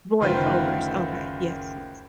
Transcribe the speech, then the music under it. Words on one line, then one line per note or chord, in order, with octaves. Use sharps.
Voice overs, okay, yes, yes.
F#1 D2 D#3 F4 B4 C5